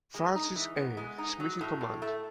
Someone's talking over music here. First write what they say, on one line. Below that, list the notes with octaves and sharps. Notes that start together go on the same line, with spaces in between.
Francis A. Smith in command.
G#3
D#4
E3
B3
G#3
D#4
F#3
A2
A2
A3